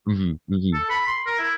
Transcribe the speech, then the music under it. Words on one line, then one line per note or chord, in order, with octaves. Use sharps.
Mhm, mhm.
A4
B5
C6
A#4
E4